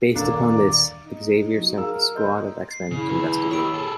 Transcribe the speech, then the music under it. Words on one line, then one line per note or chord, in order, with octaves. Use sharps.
Based upon this, Xavier sent a squad of X-Men to investigate.
D#1 E2 A#3 D4 A4 C#5 D5
D#4
F#3
G#4 A#4 F5 E6
D#5 C6 G6
C7
C#3 E4
G#4 B4
G4 C#5 B5 E6 D7
G#4 A4